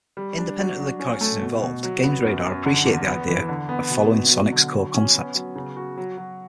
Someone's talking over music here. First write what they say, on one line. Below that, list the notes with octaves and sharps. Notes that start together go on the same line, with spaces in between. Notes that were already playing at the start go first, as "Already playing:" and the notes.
Independent of the characters involved, GamesRadar appreciated the idea of following Sonic's core concept.
G3
D4
F#3
F#3
C#4
A3
B2
B2
F#3
B3
F#2
F#2
D3
E2
B3
E3
D3
B3
B2
B2
F#3
D3
F#3
C#4
B3
F#3
C#3
F#4
F#3
F#3